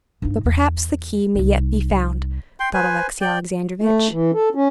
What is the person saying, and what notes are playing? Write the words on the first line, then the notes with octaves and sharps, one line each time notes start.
"But perhaps the key may yet be found," thought Alexey Alexandrovitch.
G2 D#4
E2
C2 D#4
G5 C6
B4 C5 G#5
D5 G5
A3
E3
A4
C#4